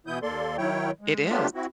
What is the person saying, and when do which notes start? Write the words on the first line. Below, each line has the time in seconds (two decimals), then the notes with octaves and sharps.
It is.
0.07 B2 E3 B3 E4 D#6 G6
0.22 D#2 A#3 A4 D5 C6
0.57 D#3 F#3 E4 C#5 G5
1.01 G#3
1.29 F#3 A3 B3 D4 F4 G4
1.55 C4 E4 F#4